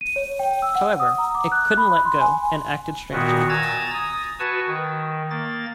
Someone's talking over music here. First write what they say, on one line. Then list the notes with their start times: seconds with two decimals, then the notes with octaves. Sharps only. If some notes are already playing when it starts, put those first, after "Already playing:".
However, it couldn't let go, and acted strangely.
0.01 D#7
0.16 C#5
0.39 G5
0.62 E6
0.75 F#5
1.00 D#6
1.18 A#5
1.35 D6
1.52 F#6
1.78 B5
2.05 C6
2.21 G#5
3.12 A#2 D#3 B3 F#4
3.49 G#5 A#5 E6 G#6 A6
3.94 D#6
4.39 F#4 B4 G#5 A5 C#6 E6
4.68 D#3
5.30 A#3 A6